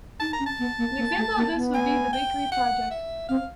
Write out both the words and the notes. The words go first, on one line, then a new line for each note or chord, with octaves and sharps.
An example of this would be the bakery project.
D#4 A5
A#5
C#4
A5
B3
A#3
A#3
A3
A#3
B3
G#5
G5
F#5
E5
C4 F5